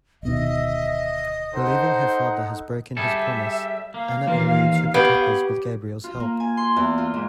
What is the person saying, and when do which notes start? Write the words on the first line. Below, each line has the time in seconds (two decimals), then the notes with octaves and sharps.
Believing her father has broken his promise, Anna eludes her protectors with Gabrielle's help.
0.23 D1 B2 D#3 D#5 E5
1.54 D#4 A4 C5 F#5
2.97 G3 G#4 A4 E5
3.94 A#3 F5
4.27 D#2 E3 A#3 F4
4.94 B3 G4 C#5 G5
6.04 F4
6.20 A#3
6.40 G#5
6.57 C6
6.76 E2
6.98 F4
7.14 G#2